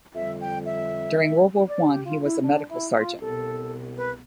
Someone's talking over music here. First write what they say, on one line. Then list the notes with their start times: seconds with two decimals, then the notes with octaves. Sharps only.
During World War One he was a medical sergeant.
0.15 F2 D3 G3 E5
0.40 G5
0.66 E5
1.69 D5
1.87 G4
2.06 F4
2.25 E4
2.44 D4
2.69 E4
2.96 F4
3.21 C2 B2 B3 A4
3.98 B4